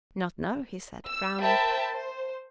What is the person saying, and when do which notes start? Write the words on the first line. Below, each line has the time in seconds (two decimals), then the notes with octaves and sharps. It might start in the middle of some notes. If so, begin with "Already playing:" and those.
"Not know," he said, frowning.
1.08 E6
1.41 A#4 C5 E5 G5 A5 B5
1.92 C5